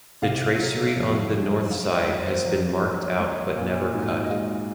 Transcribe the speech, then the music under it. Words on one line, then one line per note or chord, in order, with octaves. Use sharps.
The tracery on the north side has been marked out but never cut.
C3 F5
F#3
F2
G#3
F#2 F5
D#5
F#3
C5
F2 A#4
F#3
F#3
A#2
G#2 F#4
D#5
G#3 F5